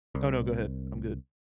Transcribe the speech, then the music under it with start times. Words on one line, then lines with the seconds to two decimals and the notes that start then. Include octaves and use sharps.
Oh, no, go ahead. I'm good.
0.15 C2